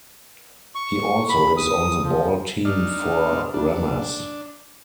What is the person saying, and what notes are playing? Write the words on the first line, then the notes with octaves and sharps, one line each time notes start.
He also is on the ball team for ramaz.
C#6
B5
D#6
F3
D4 D#4 F6
D4